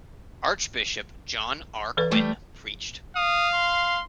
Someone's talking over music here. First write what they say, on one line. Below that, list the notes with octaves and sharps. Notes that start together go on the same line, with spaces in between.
Archbishop John R. Quinn preached.
E3 A4 B4
G3 A3
F5 D#6
C6